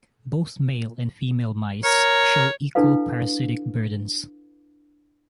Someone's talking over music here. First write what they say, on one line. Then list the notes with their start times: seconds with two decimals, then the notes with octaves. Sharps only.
Both male and female mice show equal parasitic burdens.
1.84 A#4 C#5
2.75 D4 E4 A4 B4 F5